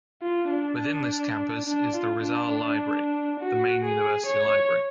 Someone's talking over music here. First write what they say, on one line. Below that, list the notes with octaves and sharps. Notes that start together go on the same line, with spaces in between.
Within this campus is the Rizal Library, the main university library.
F4
D4
D4
F4
D4
F#4
G#4
C#5